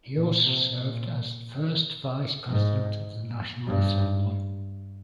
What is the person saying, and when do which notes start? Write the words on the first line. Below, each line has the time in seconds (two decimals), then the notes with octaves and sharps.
He also served as First Vice-President of the National Assembly.
0.16 A#2
0.45 C3
0.75 A#2
2.49 G#2
3.66 G2